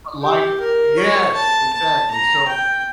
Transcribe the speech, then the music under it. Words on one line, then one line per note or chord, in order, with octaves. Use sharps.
l life Yes, exactly. So,
G4
A#4
C#5
A5
A5
A#5
G5